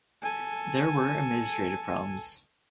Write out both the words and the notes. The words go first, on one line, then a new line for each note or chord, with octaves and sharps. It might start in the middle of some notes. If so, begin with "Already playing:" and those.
There were administrative problems.
A4 G#5